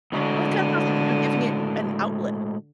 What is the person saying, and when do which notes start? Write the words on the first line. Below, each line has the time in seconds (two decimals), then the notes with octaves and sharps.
Well, it kinda sounds like you're giving it an outlet.
0.12 A2 D3 G#3 F#4